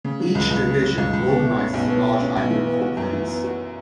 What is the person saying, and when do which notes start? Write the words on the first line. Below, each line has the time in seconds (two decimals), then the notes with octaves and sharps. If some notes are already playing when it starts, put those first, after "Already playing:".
Each division organises a large annual conference.
0.05 C#3
0.20 F#3
0.35 C#2
0.50 C#2
0.67 C#3
0.82 F#3
0.98 C#2
1.13 C#2
1.28 B2
1.43 A3
1.58 C#4
1.74 B1
1.90 B2
2.05 A3
2.21 C#4
2.36 B1
2.51 E3
2.67 B3
2.81 F#4
2.97 F#2
3.13 E3
3.28 B3
3.44 F#4